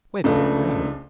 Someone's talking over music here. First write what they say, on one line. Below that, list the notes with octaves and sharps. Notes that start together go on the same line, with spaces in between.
Where does it grow?
C#2 C#3 F3 A3 D4